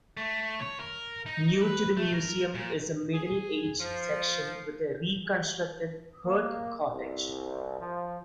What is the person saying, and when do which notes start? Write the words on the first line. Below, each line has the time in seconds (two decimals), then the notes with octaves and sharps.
New to the museum is a middle ages section with a reconstructed hearth cottage.
0.17 A3
0.60 C#5
0.80 A#4
1.26 D#4
1.62 B4
1.97 A3
2.13 A#4
2.55 A#2
3.13 G#4
3.79 F3
6.24 A#3
6.91 C2
7.80 F3